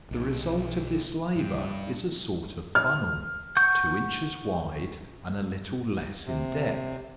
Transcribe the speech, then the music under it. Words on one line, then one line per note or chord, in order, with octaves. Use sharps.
The result of this labour is a sort of funnel, two inches wide and a little less in depth.
B1
G2
F6
F#5 C#6 G6
C3